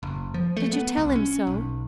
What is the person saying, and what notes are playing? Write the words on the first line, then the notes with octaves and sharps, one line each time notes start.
"Did you tell him so?"
F#1
F3
A3
B3
C2
C#4
B1